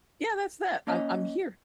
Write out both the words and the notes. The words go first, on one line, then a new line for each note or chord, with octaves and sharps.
yeah, that's that. I'm I'm here,
A#3 C#4 D#5